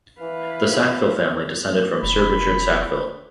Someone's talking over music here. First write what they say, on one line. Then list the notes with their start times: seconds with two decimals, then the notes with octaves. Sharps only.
The Sackville family descended from Sir Richard Sackville.
0.21 E3 B4 F5
2.03 F1 B5